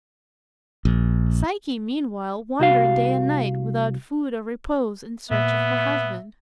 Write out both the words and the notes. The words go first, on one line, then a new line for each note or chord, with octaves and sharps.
Psyche meanwhile wandered day and night, without food or repose, in search of her husband.
A#1
C2 F#4 F5
A#2 B3 E5